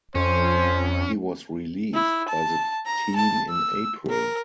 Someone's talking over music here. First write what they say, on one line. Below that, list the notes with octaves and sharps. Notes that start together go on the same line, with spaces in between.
He was released by the team in April.
F2 C#4 C5
E4
A5
A#5
A5
E6
A#4